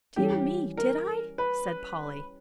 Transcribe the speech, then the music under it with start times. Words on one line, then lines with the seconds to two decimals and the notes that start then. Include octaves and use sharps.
"Dear me, did I?" said Polly.
0.16 E3 G3 C#4 G4
0.77 A#4
1.38 B4